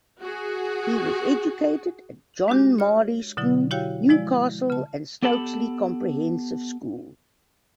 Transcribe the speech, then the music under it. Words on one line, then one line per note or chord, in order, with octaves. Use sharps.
He was educated at John Marlay School, Newcastle and Stokesley Comprehensive School.
F#4 G#4
G#3 D4 F#4 G4
C#5 F6
B2 D3 F#3 E4
E4 F#4 G4 C#5 F5 G5
F3 G#3 E4 D5
C#3 A5
B3 G4 A4 A5 B5